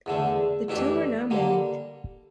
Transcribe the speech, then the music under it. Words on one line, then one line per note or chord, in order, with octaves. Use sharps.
The two are now married.
E2 D3 A3
F2 E3 A3 D4 G4
D3 G3 A#3